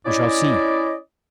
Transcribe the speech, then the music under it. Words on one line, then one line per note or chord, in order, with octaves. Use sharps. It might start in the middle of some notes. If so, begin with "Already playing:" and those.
We shall see.
C#4 E4 D5 D#5